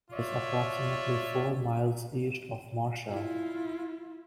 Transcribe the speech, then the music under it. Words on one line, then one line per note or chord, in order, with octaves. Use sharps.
It is approximately four miles east of Marshall.
F4 C#5 D5 E5
E4 F4